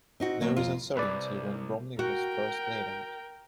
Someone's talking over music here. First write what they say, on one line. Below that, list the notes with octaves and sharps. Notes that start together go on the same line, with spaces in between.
There is uncertainty when Brumley was first laid out.
C4 D#4 F#4
D#3 F#3 A#3
F2 F4
C2 B4 D5
F#4 A#4 G5